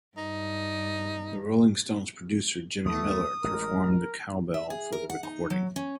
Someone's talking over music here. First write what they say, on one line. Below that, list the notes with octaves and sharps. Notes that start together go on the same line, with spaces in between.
The Rolling Stones' producer Jimmy Miller performed the cowbell for the recording.
G2 D#4
D#2 A3 B3 D#6
A1 G#3 A#4
E5
G#4
A#4
F#5
D#4
F#3
C#4